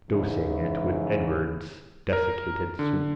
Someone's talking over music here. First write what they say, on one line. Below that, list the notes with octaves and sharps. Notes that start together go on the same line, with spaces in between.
Dosing it with Edwards' desiccated soup.
G#2 C#3 E3
A#4
D3